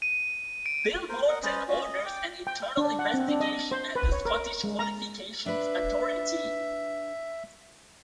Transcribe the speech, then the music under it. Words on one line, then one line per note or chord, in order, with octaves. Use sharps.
Bill Morton orders an internal investigation at the Scottish Qualifications Authority.
D#7
D7
A#4 C5
A#4 D#5 F#5
C#4 B4 C5 D#5
C#4 F4 F#4
D#5
G5 D6
G5
D4
F#5
C4
D4
D#5
C5
B4
C#5
A#4
G#3
A#5
D4 B4 E5